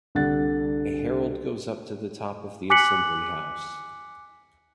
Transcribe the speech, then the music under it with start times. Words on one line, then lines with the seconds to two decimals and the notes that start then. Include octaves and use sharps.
A herald goes up to the top of the assembly-house.
0.15 C2 D3 F#5 F#6 A6
2.70 G#5 D6 F#6 B6 C#7 F#7